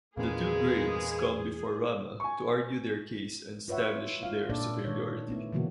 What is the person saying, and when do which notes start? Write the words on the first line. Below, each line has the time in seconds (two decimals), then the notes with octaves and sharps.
The two grains come before Rama to argue their case and establish their superiority.
0.17 E2 A#2 G#3 A#3 B3 C#4 G#4
2.20 G#5 C#6
3.68 F4 B4 C#5 E5 F#5
4.23 F4 F5
4.49 A#2 A#3 D4 A4 D5
4.85 D#3 C#5
5.28 A3 B3 E4
5.53 B2 D3 E3 F#3 A#3 F#4